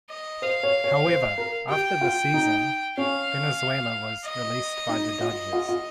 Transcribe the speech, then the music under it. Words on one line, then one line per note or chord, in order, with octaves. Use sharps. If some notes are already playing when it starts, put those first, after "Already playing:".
However, after the season, Valenzuela was released by the Dodgers.
D#5
C5 F5
C#5
C#5
C5
A#4
G4 G5
F4
D#4
C#4 F5
D#5
D#4
F4
F4
F4